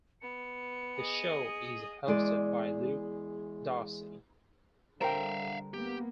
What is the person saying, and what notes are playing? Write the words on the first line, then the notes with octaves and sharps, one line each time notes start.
The show is hosted by Luke Darcy.
B3 C#7
G#4 D#5
E2 G#3 D5
D3 G3 A#4 C5 E5 F5 G5
A#3 B3 G4